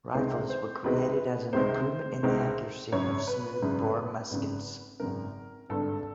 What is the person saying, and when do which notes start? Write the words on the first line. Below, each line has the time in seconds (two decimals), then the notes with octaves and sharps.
Rifles were created as an improvement in the accuracy of smooth bore muskets.
0.14 C#2 C3 D#3 G#3 C4 C5
0.50 C5
0.84 C#2 C3 D#3 G#3 C4 B4
1.53 C#2 C3 D#3 G#3 C4 C5
2.23 C#2 C3 D#3 G#3 C4
2.92 G#1 F#2 C#3 C#5
3.27 B4
3.62 G#1 F#2 C#3
4.31 G#1 F#2 C#3
5.00 G#1 F#2 C#3 A#4
5.69 G#1 G2 D3 A4